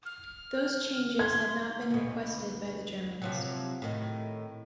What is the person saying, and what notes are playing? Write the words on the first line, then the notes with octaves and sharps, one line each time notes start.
Those changes had not been requested by the Germans.
F6
C6 G#6
D2 B2
C3 F3 F#3
A2 D#3